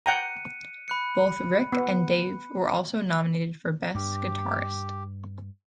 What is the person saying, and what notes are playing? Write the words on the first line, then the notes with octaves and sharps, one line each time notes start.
Both Rik and Dave were also nominated for "Best Guitarist".
F#5 G5 A#5 F#6 C#7 D#7
B5 F#6 C#7
B3
G2 G4